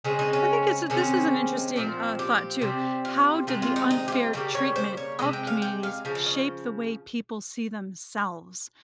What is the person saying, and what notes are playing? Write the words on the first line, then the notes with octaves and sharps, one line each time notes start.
I think it's a this is an interesting, uh, thought, too- how did the unfair treatment of communities shape the way people see themselves?
C#3 G#3 C4 D#4
D#4
C#4
C3 D#3 G#3 C4 C#4
A#2 F3 C4
G4
C3 G3 C4
F4
C3 D#3 G#3 C4 F4
F4
D#4
D#4
G4
F4
C#3 G3 A#3 G4
C#5
C5
C#5
C3 D#3 G#3 D#5
G5
F5
G5
F5
C#3 F3
F5
D#5